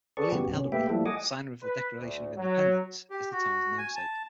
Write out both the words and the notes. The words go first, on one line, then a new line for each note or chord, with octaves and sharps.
William Ellery, signer of the Declaration of Independence, is the town's namesake.
G#4 A4 B4 D5 C#6
G2 C#3 B3 F#4 G4
C3 C#4
A3 A#3 G4 B4 E5 G5
F3 G3 A3 A#3 E4 A4
D#5 F#5 G#5 D6 D#6
B4
D2
F#3
G4
F#4
G#5
A5